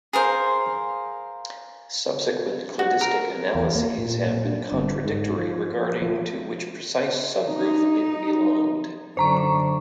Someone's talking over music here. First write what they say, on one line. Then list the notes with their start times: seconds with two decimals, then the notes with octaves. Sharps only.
Subsequent cladistic analyses have been contradictory regarding to which precise subgroup it belonged.
0.13 G#4 A#4 C5 F5
2.79 F#4
3.01 A#4
3.55 E2
3.75 A#3
3.98 A#2
4.27 A#2
4.45 D4
4.72 G1
5.05 G#2
5.38 F3
6.02 F3
7.44 D#4
9.17 F#2 D3 D4 C5 A#5 C#6